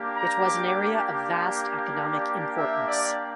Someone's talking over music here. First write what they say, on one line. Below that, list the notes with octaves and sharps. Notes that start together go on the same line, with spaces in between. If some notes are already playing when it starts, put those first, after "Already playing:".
It was an area of vast economic importance.
Already playing: A#3 D4 G4
A#5
D6
A5
D5
E5
D5